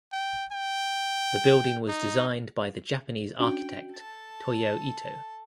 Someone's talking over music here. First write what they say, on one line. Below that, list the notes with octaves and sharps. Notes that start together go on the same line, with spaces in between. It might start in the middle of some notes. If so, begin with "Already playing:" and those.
The building was designed by the Japanese architect Toyo Ito.
G5
G5
D#4
C#4 D4 F#4 G5
A4 A5 A6